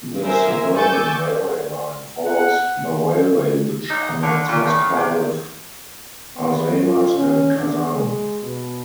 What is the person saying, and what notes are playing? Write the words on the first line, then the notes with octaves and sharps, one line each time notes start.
The suburban railway line follows the railway which connects Moscow with Arzamas and Kazan.
A#4 C5 E5 G#5 E6
G#5 C#6 D6 E6 G6 A6
F#5
D#4
D3
A#2
A2
C3
B3
F4
C#4
D4
G#3
B2